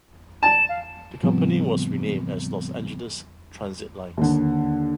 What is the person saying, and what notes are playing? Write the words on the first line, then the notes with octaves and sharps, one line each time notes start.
The company was renamed as Los Angeles Transit Lines.
A5 E7
F5
A2 C#3 F3 G3 B3 C4
D#2 D3